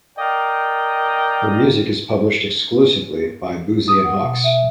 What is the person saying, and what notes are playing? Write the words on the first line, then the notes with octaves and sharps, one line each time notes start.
Her music is published exclusively by Boosey and Hawkes.
A#4 D5 D#5 F5 G5
D#6
F#5
B2
E5